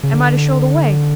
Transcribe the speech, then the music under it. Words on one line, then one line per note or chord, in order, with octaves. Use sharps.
Am I to show the way?'
C#3
D3